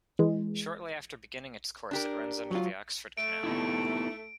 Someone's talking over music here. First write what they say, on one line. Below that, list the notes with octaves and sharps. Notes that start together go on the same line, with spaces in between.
Shortly after beginning its course it runs under the Oxford Canal.
E3 G#3
D4 G4 A#4
F#3 F4
A3 D7
B3 D#4 E4